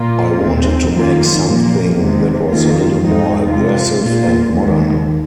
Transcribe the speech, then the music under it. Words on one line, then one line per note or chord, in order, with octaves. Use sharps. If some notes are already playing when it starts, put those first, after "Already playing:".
I wanted to make something that was a little more aggressive and modern.
Already playing: A#2 A#3 F4
D#2 D#3 C4
F2 D#3 A#3 F4
A#2 F3 A#3
C3 D#3 G#3
D#3 A#3 F4
G#2 G#3 C4 D#4
C3 G#3 F4
A#2 A#3 F4
D#2 D#3 G#3